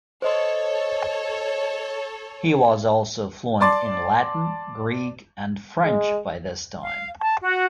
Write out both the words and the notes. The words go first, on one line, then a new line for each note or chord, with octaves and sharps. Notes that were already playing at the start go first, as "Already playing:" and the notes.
He was also fluent in Latin, Greek, and French by this time.
A4 C5 C#5 D#5 C6
D5 A5 C6 D6 A6
G#3
F5
A5
F#4